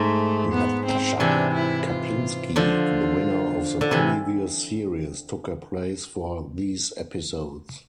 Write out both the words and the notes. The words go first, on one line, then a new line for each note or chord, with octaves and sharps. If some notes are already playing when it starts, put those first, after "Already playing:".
Natasha Kaplinsky, the winner of the previous series, took her place for these episodes.
Already playing: G#2 A3
B3
C4
C3 E3 D4
E4
F4
D3 F3 F4
D3
C3 E3